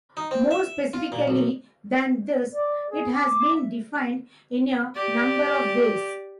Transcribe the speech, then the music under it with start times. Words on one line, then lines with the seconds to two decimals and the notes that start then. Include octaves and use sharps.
More specifically than this, it has been defined in a number of ways.
0.17 D#4
0.31 C4
0.51 E5
0.93 F4
1.12 A#2
1.28 B1
2.52 D5
2.89 G#4
3.12 D6
3.54 E5
4.95 G4 D5